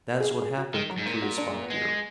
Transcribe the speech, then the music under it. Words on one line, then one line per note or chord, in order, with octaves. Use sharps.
"That is what happened," concluded Spotted Deer.
G#4
G#4
G#4
F#4
D#3 G#3
F#3
G#2
A#2 A#3
F#4
D4
G#3
A#3
B3
G#3